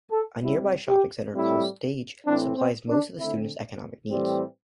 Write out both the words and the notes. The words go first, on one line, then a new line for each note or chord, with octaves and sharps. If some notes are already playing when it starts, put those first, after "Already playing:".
A nearby shopping centre called "Stage" supplies most of the students' economic needs.
A4
C3 G3 C4 E4
G4
A2 G3 C4 E4
A2 E3 C4 D4
C4
D4
D3 A3 C4 E4
A2 E3 G3 C4